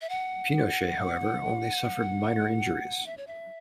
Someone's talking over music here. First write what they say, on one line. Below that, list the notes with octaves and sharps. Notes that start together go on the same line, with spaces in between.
Pinochet, however, only suffered minor injuries.
E5
F#5
E5
C#5
E5